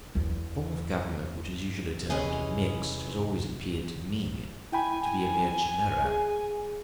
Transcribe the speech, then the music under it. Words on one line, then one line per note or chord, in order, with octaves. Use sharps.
The form of government which is usually termed mixed has always appeared to me to be a mere chimera.
E2 E3
E2 C3 E3 G#3 C#4 G#4 D#5
E4 G5 G#5 B5
G#5
G#4